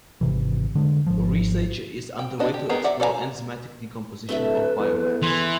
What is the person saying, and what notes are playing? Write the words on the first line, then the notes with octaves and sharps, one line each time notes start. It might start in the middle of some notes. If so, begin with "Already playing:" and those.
Research is underway to explore enzymatic decomposition of biomass.
G#1 C3 E3
D3 G#3
G#1 F3
G5
B3 D4 D#5
G4
B3 G4 G#4 A#4 D#5
D5 E5 F#5
A4 D5 F5 G#5 A#5
D1 A3 A4 B4 E5
E2
E3 C6